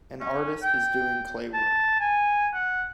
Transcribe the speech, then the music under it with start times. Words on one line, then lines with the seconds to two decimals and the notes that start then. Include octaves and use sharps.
An artist is doing clay work.
0.21 C#4
0.62 G5
1.54 A5
2.00 G#5
2.54 F#5